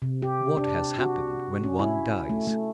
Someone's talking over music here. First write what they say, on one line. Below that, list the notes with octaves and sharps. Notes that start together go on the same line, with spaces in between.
What has happened when one dies?
C3
G4
D4
F#4
C#4
E4
A3
A3